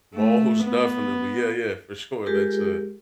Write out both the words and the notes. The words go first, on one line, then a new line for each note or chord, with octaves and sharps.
Most definitely. Yeah, yeah, for sure. That's a
A3
B3
G#3 F4 G4 G#4 A#4